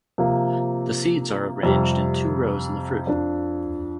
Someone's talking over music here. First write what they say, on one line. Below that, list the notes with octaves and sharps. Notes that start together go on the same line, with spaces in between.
The seeds are arranged in two rows in the fruit.
C3 F3 A#3
F2 C3 G3
F2 F3 D4